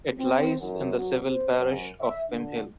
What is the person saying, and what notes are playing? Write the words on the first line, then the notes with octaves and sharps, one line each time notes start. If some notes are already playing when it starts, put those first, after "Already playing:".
It lies in the civil parish of Pimhill.
C4
F#2
F#3
C5
F#2
E5
D3